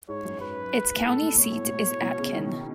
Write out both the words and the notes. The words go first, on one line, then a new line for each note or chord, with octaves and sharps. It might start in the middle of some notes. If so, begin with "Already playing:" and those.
Its county seat is Aitkin.
G#2 C#5
F#2
G#2 B4
A2
G#2 A4
A2
B2 C#5
A2
B2
B2
C#3
D#3